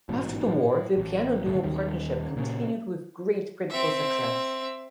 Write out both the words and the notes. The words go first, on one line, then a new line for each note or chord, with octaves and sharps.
After the war the piano duo partnership continued with great critical success.
A1 G#2 B2
A2
A1
G#1 D2 C3 A3
D#2 D#3 G3
A#2 C#3 C#4
C4 E5